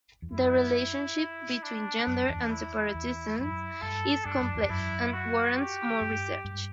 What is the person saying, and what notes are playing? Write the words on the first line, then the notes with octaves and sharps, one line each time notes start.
The relationship between gender and separatism is complex and warrants more research.
E2
F#2 E4
D4
F#2
E2
E4
E2
F#2 E4
G2 A4
G2 D4
F#2
E2
F#2 E4
F#4
G4
G2
G2